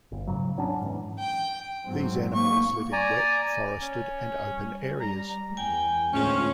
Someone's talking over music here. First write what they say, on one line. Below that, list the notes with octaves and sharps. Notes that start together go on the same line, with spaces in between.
These animals live in wet forested and open areas.
G1
D#1 G#2 C#3 F#3
F#3 B3 C#4 D4
G#2 E3
G5
G#2 F#3 C4
A#3 C#6
D5 G#5 A#5
C#4
G3
A#5
E2 G5 G#5
D2 A2 F3 G#3 A#3 C#4 F4 C#6